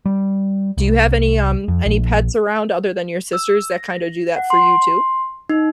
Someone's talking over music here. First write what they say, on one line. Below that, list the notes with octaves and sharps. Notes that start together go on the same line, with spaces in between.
do you have any, um any pets around other than your sister's that kinda do that for you too?
G3
C2
F2
A#1
E6
A#6
F#5
C6
D#4